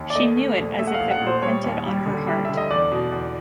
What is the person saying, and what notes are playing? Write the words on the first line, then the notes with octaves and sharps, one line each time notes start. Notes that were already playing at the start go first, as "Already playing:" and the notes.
She knew it as if it were printed on her heart.
Already playing: D#2
D5
A3 D#5
A3
A#1
A3 E5
F#5
F5
A#1
F#5
A#2
C5
G3 C#5
D#2
G3
D3
G3
D3 E5
D#5
E2 D5
B2
E2